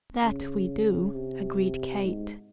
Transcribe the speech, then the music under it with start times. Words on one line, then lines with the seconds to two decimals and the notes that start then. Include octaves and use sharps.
"That we do!" agreed Kate.
0.23 C#3
1.14 C3
2.05 G#2